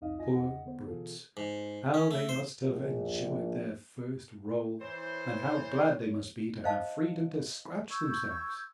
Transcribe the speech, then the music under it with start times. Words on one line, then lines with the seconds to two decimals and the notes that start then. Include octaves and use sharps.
Poor brutes, how they must have enjoyed their first roll, and how glad they must be to have freedom to scratch themselves!
0.01 C2 F2 D#4 D#5 F5 D#6
0.18 G#1 F4 D#5 G#5 A#6
0.35 E2 F#3 G#4 D#5 F#5
0.65 D3 B3 C5
0.87 B2 D3 E3 F4 G#4 A4
1.37 G#2
1.94 C#4
2.11 A3
2.29 C5
2.64 A#1
4.81 E3 C5 C#5
6.64 C5 D#5 F5 A5
7.90 C#6 E6 G6 G#6